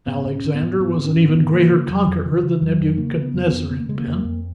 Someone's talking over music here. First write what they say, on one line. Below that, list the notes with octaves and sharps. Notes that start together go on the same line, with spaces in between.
Alexander was an even greater conqueror than Nebuchadnezzar had been.
G#2 B3
G#2
C#4
G#2
B3
G#2
G#2 B3
G#2
C#4
G#2
B3
G#2
C#3 A#3
C#3
F2 F#3
F2
C#3 F3
C#3
F2 F#3
F2
C#3 A#3
C#3
B3
F2
B3
F2
C#3 B3
A#3
C#3 G#3
A#3
F2
F2